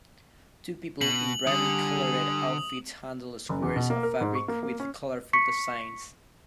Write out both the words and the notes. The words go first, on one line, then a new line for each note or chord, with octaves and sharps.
Two people in brightly colored outfits handle squares of fabric with colorful designs.
B2 F#7
D3 G3 G#5 D#6
F#1
E2
B2
A#3
A#4
G#2
C#6
A#3
A#3
C#4
C#6 B6 C#7